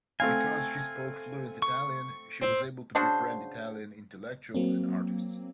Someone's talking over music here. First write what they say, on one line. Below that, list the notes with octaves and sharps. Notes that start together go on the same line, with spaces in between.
Because she spoke fluent Italian, she was able to befriend Italian intellectuals and artists.
A3 C4 F5 G#5
C#6
C4
C#3 D4 F#4 C5
F#3 A#3 C4